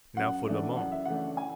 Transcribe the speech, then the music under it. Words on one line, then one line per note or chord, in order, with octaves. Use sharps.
"Now for La Mon."
F#2 F#5
C#3 E3 A3 D4
F#2 F#5
E5
C#3 E3 A3 D4 F#5
G#5